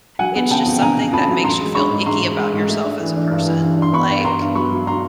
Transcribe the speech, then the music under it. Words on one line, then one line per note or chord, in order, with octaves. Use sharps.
It's just something that makes you feel icky about yourself as a person. Like
F#3 F#5 G#5
B3
C#3 G5 A5
F2
C#3 G#5 A#5
C#3
F2 A5 B5
F#3
A1 A#5 C6
G#3
G#3 B5 C#6
G#2
G#2 A#5 C6
G#2
G#3
G#2
A3
D4
E3
D4
G2
E3
G2
D4 C6
B3 B5 C#6
G2
B3 A#5 C6
G2
F#3 B5 C#6
F#3
F#3 A#5 C6